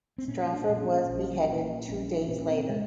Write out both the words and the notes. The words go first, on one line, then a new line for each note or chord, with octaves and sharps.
Strafford was beheaded two days later.
C4
A#2 C#4
D4
A#2
C#4
A#1
A#2
A#1 C#4
D4
A#2 C#4
C4
A#2 G#3